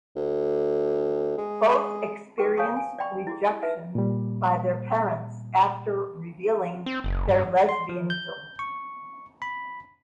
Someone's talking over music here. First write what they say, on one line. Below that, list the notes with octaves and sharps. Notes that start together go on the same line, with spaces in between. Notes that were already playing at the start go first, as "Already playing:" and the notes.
Both experienced rejection by their parents after revealing their lesbianism.
D2
G#3
G4 B4 G5 C#6 D6
C#5 F5 G#5 A5 C#6 D#6
G#5
D5 D#5 G5 B5 C#6
E4 F#4 G#4
D#4 B4 E5
A#2 G3
C4
F#1
G2
C6
F3
G6
C#6
B5